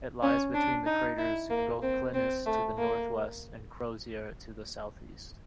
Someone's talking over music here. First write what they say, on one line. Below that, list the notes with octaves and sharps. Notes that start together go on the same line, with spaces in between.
It lies between the craters Goclenius to the northwest and Crozier to the southeast.
C#4
D4
D#4
E4
A#3
C4
C4
A3
A#3